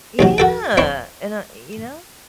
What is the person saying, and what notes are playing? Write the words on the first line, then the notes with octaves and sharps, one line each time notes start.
Yeah, and I you know?
D#2 C3 F#3
F#4 A4 G5
C4 E4 C#5